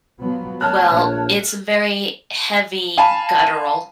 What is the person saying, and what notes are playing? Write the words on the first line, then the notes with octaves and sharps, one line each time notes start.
Well, it's very heavy, guttural,
F3 F#3 B3
A3 C#5 A5 F6 F#6
A#1
F5 G#5 A5 B5